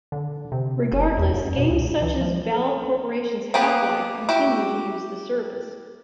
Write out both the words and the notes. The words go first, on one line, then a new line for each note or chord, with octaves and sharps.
Regardless, games such as Valve Corporation's "Half-Life" continued to use the service.
D3
C3
F#1
E2
F#2
B2
C#2
E3
F3
A4
A#3 B3 G4 G#4 B4
E4 F#4 G4